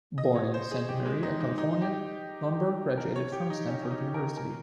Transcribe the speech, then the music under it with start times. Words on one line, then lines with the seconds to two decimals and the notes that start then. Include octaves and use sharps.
Born in Santa Maria, California, Lonborg graduated from Stanford University.
0.18 D#5
0.35 C#5
0.54 C5
0.71 G#4
0.89 G4
1.06 G#3
1.23 D#4
1.40 D#4
1.58 D#4
1.82 G4
2.98 A#4
3.16 C#5
3.32 G4
3.50 D#4
3.68 C#4
3.82 C#4
3.91 D#4
4.14 A#4
4.37 A#4